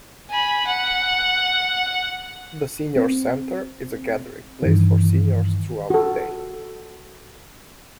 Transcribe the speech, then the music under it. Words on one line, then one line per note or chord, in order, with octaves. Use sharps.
The Senior Center is a gathering place for seniors throughout the day.
G#5 B5
F#5
C4
G2 D#3 E3
F#4 A4